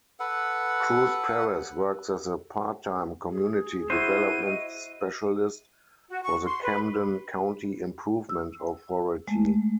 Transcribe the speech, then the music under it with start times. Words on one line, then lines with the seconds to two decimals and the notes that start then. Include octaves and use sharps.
Cruz-Perez works as a part-time community development specialist for the Camden County Improvement Authority.
0.20 A4 B4 F#5
3.28 G#4
3.90 E4 F#4 C5 D#7
4.44 D#5
6.08 F#4
6.22 C#6
6.43 C6
6.62 B4
8.29 E6
9.28 G#3 A3